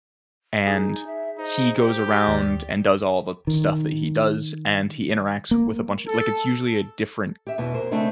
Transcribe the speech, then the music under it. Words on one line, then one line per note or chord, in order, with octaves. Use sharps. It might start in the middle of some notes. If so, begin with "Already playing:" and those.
and he goes around and does all the stuff that he does, and he interacts with a bunch of like, it's usually a different
D#4 G#4
E5
D#4 C5
G4
D#2 D5
D#3
A#3
A4
G4 E5
E2 B2 E3
A#4 C5
C#3 A3 C4 D4 D#4 C5